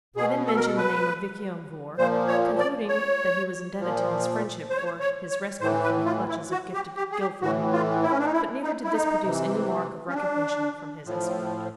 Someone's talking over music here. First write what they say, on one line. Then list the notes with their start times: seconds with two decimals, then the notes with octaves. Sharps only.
He then mentioned the name of Vich lan Vohr, concluding that he was indebted to his friendship for his rescue from the clutches of Gifted Gilfillan, but neither did this produce any mark of recognition from his escort.
0.16 B2 G#4
0.46 A4
0.56 A#4
0.66 A4
0.77 B4
1.97 A#2 F3 C5
2.28 C#5
2.58 D5
2.88 C#5
3.79 A#2 F3
4.70 C5
4.77 C#5
4.85 C5
5.00 C#5
5.30 C#5
5.60 A2 C5
5.63 E3
5.83 B4
6.05 F4
6.28 E4
6.51 F#4
6.74 G4
6.96 G4
7.12 G#4
7.20 G4
7.42 A2 E3 F#4
7.72 F4
8.03 E4
8.11 C#4
8.19 D4
8.25 D#4
8.33 E4
8.63 D#4
8.84 E4
8.93 D#4
9.24 C3 E3
10.09 C#4
10.15 D4
11.05 A2 F3